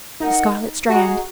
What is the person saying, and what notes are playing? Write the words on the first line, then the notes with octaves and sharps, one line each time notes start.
'The scarlet strand!
D#4 A#4 D#5 F#5
F#4 G#4 D#5 F#5 A#5